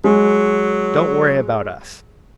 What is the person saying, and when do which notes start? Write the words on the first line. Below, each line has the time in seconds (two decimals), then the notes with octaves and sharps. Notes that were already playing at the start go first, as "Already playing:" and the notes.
Don't worry about us.
0.04 F#3 G#3